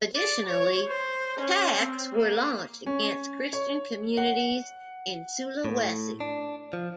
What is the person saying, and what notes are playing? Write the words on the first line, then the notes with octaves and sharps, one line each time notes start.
Additionally, attacks were launched against Christian communities in Sulawesi.
D5
C#5
C5
C#4
C4
A#3
C#4
C#5
F#5
A2
D4
F3